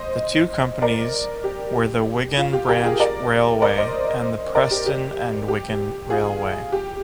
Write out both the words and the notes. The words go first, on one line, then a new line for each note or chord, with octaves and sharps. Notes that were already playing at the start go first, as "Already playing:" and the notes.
The two companies were the Wigan Branch Railway and the Preston and Wigan Railway.
Already playing: C5 D#5
A#4 D5
G4
F4
G4
G4 A#4
F4 G#4
A#4 D5
A#4 D5
C5 D#5
A#4 D5
G4
G4
G4
F4 G#4
G4